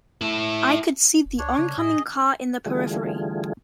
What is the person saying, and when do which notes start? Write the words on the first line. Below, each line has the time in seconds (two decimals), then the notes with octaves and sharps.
I could see the oncoming car in the periphery.
0.21 E4 A4
1.26 F1
1.39 C#2 D4 C#5
1.58 C#3
1.78 A2 G#4 D#5
2.66 D3 E3 G3 A3 F4 G#4